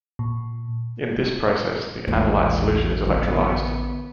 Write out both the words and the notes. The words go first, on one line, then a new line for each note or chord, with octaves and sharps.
In this process, the analyte solution is electrolyzed.
A#2
A1 D#2 G#3
D3 B3 E4